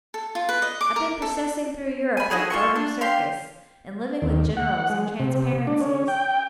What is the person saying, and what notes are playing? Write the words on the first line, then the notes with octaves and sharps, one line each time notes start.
I've been processing through Europe like Barnum's Circus, and living with generals and transparencies.
A4
F4
B4
D#5
D6
A#4
A4
G#5 B5
D#4 F#4 G#4 A4
F4 A4 C#6
D4
G4 F5 C6
D#2
F#5
G#3
C3
D4
C#4
G5